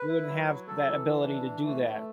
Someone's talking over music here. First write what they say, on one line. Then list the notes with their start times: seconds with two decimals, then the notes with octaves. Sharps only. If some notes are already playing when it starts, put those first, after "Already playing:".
You wouldn't have that ability to do that.
Already playing: B4
0.08 E4
0.28 F#3
0.47 F#3
0.67 A4
0.87 E3
1.07 E3
1.27 D4
1.46 E3
1.65 A3
1.85 A3